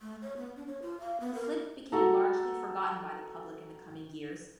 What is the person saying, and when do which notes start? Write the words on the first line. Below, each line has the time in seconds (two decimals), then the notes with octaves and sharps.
Flip became largely forgotten by the public in the coming years.
0.02 A3
0.22 C#5
0.37 B3
0.56 D4
0.68 C#5
0.82 F4
1.00 F5
1.20 B3
1.35 A#4
1.92 F#4 A4 A#5